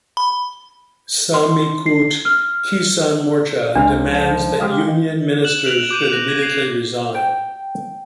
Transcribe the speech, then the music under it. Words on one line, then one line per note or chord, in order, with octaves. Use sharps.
Samyukt Kisan Morcha demands that Union Ministers should immediately resign.
B5
C6
C7
F6
C#2 D4 F5
F3
G#3 G4 D#5 F5
F#6 E7 F#7
D7 F7 F#7
D6 G6 D#7
F#6 A#6
G#6 F#7
C7
G5